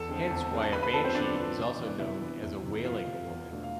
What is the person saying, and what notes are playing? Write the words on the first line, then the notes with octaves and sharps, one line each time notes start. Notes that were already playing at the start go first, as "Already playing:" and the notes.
Hence why a banshee is also known as a wailing woman.
Already playing: E2 A4 A5
D3 G#3 C4
E2
D3 G#3 C4
A5
D3 B4 B5
B4 B5
F3 B3 D4 A4 A5
C4 C5
D3 D4 D5
F3 B3 D4
C3
E3 B3 D4
C3 E4 E5
E3 B3 D4
E2
C3 E3
E2 F4 F5
C3 E3
E2
B2 A3 D4
F5